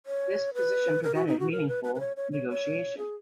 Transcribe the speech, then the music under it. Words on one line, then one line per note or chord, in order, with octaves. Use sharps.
This position prevented meaningful negotiation.
C#5
B4
A#4
F#4
D#4
F#4
A#4
B4
B4
B4
C#5
C#5
C#5
C#5
G#4